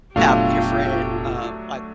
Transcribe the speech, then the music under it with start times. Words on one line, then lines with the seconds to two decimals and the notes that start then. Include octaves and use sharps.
have different, uh, like,
0.16 F1 A#2 F#3 A3 B3 D4 F4 G4